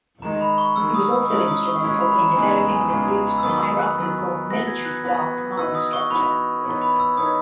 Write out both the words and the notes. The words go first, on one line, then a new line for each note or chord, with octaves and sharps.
He was also instrumental in developing the group's hierarchical military-style command structure.
D#3 G#3 D#4 A#5
B5
C#6
D#3 G#3 D#4 E6
D#6
E6
G#3 C#4 E4 A#4 D#6
D#6
C#6
G#3 C#4 E4 A#4 C#6
B5
B5
A#5
E2 C#3 E3 G#3 D#4 G#5
A#5
G#5
E2 C#3 E3 G#3 D#4 G#5
A#5
B5
E6
D#3 F#3 B3 D#6
E6
F#6
D#3 F#3 B3
E3 B3 F#4 B4 A#6
G#6
F#6
E3 B3 F#4 B4
E3 B3 D#4 F#4 B4 E6
D#6
C#6
E3 B3 D#4 F#4 B4 B5
E3 B3 D#4 A#4 C#5
B5
E6
E3 B3 D#4 A#4 C#5 D#6